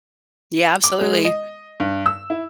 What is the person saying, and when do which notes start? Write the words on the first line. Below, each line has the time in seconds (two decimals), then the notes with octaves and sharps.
Yeah, absolutely,
0.84 D6
1.01 G#3
1.25 D#5
1.80 G2
2.06 E6
2.30 E4